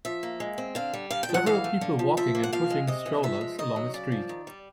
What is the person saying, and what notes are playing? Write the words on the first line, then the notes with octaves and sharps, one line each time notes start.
Several people walking and pushing strollers along a street.
F3 E5
A#3
G#3
C4
D3 F5
G3
D3 F5
G5
F3
F#5
E3 F5
A3
D3
F3
F3 E5
A#3
F#5
F3 F5
G#3
C3 D#5
E3
F3 E5
G#3
D#3 D#5
F#3
C#3 D5
F3
D#3
G3